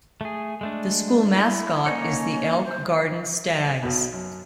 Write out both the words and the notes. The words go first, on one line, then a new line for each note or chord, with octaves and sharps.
The school mascot is the Elk Garden Stags.
A3 G#4
G#3 A3 D4
E4
A#3 C#4 D#4 C#5
C5
B1 B2
F#2